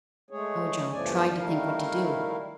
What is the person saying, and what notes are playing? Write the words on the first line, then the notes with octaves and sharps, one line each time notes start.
Ojo tried to think what to do.
G#3 A3 G#4 C#5
E2 G2 F3 A3 D5 G#5
D#3 G3 A3 E4 A#4 F5